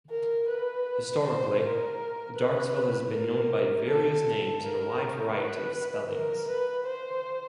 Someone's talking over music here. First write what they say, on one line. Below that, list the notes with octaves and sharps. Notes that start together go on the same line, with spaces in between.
Historically, Darkesville has been known by various names and a wide variety of spellings.
A#4
B4
C5
A#4
B4
A#4
A4
A#4
B4
A#4
B4
C5